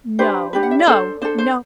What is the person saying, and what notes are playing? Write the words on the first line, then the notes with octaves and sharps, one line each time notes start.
No, no, no!
D4 G4 B4 C5
D4 G4 B4
F#5
E5
D5
D4 A4 C5
D4 A4 C5
C5